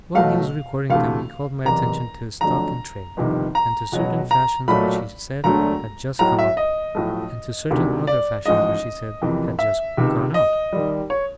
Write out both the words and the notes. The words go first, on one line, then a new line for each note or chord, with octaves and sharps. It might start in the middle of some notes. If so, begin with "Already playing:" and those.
While he was recording them he called my attention to his stock in trade, and to certain fashions which he said had 'just come up', and to certain other fashions which he said had 'just gone out'.
B1 B2 F#3 A3 F5
D2 C3 E3 A3 F5
F#1 E2 C3 A#5
F2 D3 F#3 A3 A#5
G1 F2 C3 D#3
A#5
C#2 B2 F#3
A#5
B1 A#2 F#3 A3 B5
E1 D2 D3 F#3 A3 A#5
B1 A2 F#3 A#5
E5
D#5
B1 A2 F3 A3
E1 D2 C3 D#3
D5
A1 G#2 F3 G#3 D#5
F#1 F2 C3 E3
E5
C#2 C3 D#3
D#5
D#2 D#3 G3
C#5